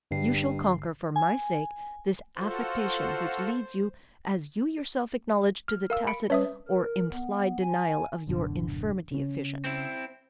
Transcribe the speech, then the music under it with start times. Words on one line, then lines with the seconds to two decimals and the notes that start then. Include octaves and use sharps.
You shall conquer, for my sake, this affectation which leads you, as you yourself acknowledge, to the tacit or implied denial of your infirmity of vision.
0.11 G1 G2 C7
1.16 G#5
2.38 F4 F#4 A4 C5
5.68 F6
5.90 A#4 F5 E6
6.07 B5 C#7 D7
6.30 G3 C#4 B4 C#5 E5 D#6
6.68 A#4
7.12 B3
7.61 G#5
8.27 D1 F#2 B2 D3
9.11 C#3 C#4
9.65 C4 E4